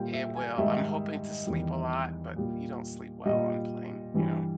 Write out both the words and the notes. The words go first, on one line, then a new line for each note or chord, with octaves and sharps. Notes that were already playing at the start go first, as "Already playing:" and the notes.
It will. I'm hoping to sleep a lot, but you don't sleep well on plane, you know?
Already playing: A#2 G3 G5
E5
G#5
G#2 D#3 G3 E5
E2 D#3 G3
A#2 G3
A#2 G3 D#5
G2 E3 G3